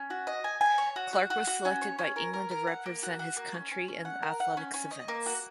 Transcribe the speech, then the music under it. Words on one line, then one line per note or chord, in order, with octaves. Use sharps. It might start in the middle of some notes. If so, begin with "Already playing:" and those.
Clarke was selected by England to represent his country in Athletics events.
Already playing: C#4
F#4
D#5
G#5
G#5
C#5
F#4
F#4
F#4
F#4
C#4
C#5
C#4
A#4
A#4
A#4
F#5
A#3
F#4
F#4
A#3
C#4
C#4
C#4
F#5
A#4
F#5
C#4
C#4
D#5
A#3
F#4